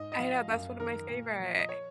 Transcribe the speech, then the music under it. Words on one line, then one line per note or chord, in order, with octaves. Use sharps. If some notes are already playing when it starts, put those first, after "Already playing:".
I know, that's one of my favorite.
Already playing: G#2 D#5
D#5
F3 F5
F#2 F5
D#3 A#4
A#2
F3
D#5
C#5